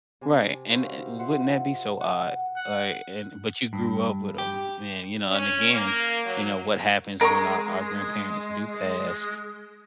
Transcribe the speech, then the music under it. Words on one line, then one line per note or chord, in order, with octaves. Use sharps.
Right, and, eh, wouldn't that be so odd, like, and but you grew up with 'em. Man, you know, and again, you know, what happens when our our grandparents do pass,
C3 G#5 A5
E4 F#4 C5 D#5 F5
F4 C5 E5 F#5 C6
F#5
F#5
G2
G4
C#4
A#3
F#3
G#3 A#4 A#5 C#6